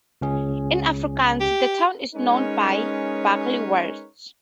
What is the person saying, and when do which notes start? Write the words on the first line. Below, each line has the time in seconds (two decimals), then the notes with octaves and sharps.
In Afrikaans the town is known as Barkly-Wes.
0.21 C#2 C#4 G#4
1.40 G4
2.15 G#3 C#4 D#4 A#4 B4 C#5